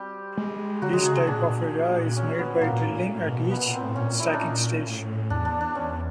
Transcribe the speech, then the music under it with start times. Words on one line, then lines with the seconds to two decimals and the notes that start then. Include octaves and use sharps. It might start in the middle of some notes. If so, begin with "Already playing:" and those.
Each type of via is made by drilling at each stacking stage.
Already playing: G3 C4 G4
0.38 G#3
0.82 D3 F#3 F#4
0.93 D3 G#3 G#4
1.05 C#3 G#3 G#4
1.16 C3 G#3 G#4
1.27 A#2 D4
1.50 A#2
2.17 C#4
2.39 B3
2.61 A#2 A#3
2.73 A#2
2.85 A2
2.95 A#2
3.06 A2
3.29 B2
3.51 B2 B3
3.67 A#2
3.74 C4
3.82 A2
3.96 A#2 C#4
4.19 E4
4.27 D#4
4.33 D4
4.41 C#4
4.86 A2
5.30 E2 D4
5.45 D4
5.61 D4
5.75 C#4